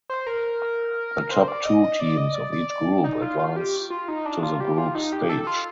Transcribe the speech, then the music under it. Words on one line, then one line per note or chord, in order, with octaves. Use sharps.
The top two teams of each group advance to the group stage.
C5
A#4
C5
D5
D#5
D#5
D5
D#5
D5
D5
D5
D#4
F4
F4
G4
F4
D#4
D4
F4
G4
F4
D#4
G4
A4
F4